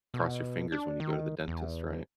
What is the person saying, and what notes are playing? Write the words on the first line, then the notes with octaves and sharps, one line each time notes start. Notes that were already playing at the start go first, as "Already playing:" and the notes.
cross your fingers when you go to the dentist, right?
B2
D4
D#3
E2